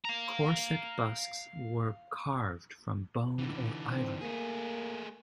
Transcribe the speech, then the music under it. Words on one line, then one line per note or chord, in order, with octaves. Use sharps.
Corset busks were carved from bone or ivory.
F5 A#5
D3 E3
C4
A3 A#3 G#4